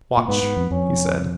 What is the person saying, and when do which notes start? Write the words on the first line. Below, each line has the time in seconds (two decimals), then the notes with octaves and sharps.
"Watch," he said.
0.17 A#2
0.28 G#2 B3
0.43 G#2
0.57 F2
0.71 F2 C#4